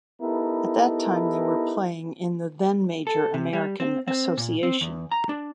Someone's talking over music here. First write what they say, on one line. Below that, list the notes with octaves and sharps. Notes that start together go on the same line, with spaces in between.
At that time they were playing in the then-major American Association.
B3 D#4 E4 G4 A4 A#4
A4
C3
G3
C4
C4
A#2
C4
E2
A#5
D4